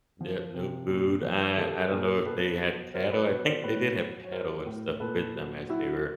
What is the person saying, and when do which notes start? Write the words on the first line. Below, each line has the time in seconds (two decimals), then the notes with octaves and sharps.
Yep, no food, I I don't know if they had cattle. I think they did have cattle and stuff with them as they were
0.21 F3
0.54 C3
0.89 A#2
1.22 F3
1.57 F3 G4 A4
1.91 A#2 G#4 A#4
2.26 B2 A4 B4
2.61 F#3
2.94 F#3 A#4 C5
3.12 B4 C#5
3.28 B2 B4 C#5
3.46 C5 D5
3.63 A2 B4 C#5
3.97 F#3
4.24 C#5
4.31 F#3 A#4 C5
4.66 A2
5.00 A#2 A4 B4
5.35 F#3
5.69 F#3 E4 F#4